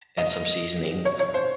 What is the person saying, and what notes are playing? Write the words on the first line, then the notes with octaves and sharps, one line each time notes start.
and some seasoning,
D#5
C#5
C#5
C5